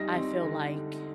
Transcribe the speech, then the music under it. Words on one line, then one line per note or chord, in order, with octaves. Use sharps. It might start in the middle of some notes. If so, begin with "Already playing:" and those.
I feel like
Already playing: G3 D#4 A#6
C4
D3